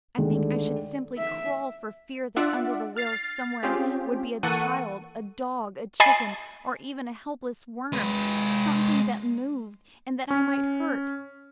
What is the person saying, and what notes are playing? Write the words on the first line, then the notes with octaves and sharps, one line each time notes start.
I think I should simply crawl for fear that under the wheels somewhere would be a child, a dog, a chicken, or even a helpless worm--something that moved and that I might hurt.
D2 D3 D#3 G#3
E5
D4 F4 D5 E5 F#5
F6 A6 C7
C4 C#4 F4 G4 G#4
E3 A#3 A4 F#5 C#6 D#7
D#5 G#5 B5 A6 C7
G#3 B4
C#4